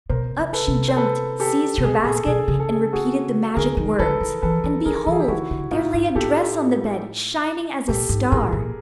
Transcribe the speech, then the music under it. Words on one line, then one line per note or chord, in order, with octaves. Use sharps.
Up she jumped, seized her basket, and repeated the magic words, and behold! there lay a dress on the bed, shining as a star.
B2 A#4 C5
C#3
A4 B4
C3
C5
A4 B4
G4 A4
C3
B2 G#4
A4
A#2 G#4
A4
B2 G#4
A4
C#3 G#4
A4
G#4
A4
F#4 G#4
D3 G#4 A#4
D#3
D3 A4 B4
E3
E3 A4 B4
E3
D#3 G#4 A#4
A#4
E3 A4
G#4
G4
D#3 E4 F#4
D3
A2 D#4 F4
G#2
A2 G4 A4
A#2 G4 A4
G#2
A2 G#4 A#4
A#2